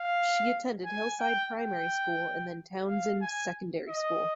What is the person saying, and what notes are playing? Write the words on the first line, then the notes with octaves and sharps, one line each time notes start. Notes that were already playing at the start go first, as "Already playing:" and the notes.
She attended Hillside Primary School and then Townsend Secondary School.
Already playing: F5
G#5
G5
G5
F5
G#5
D#5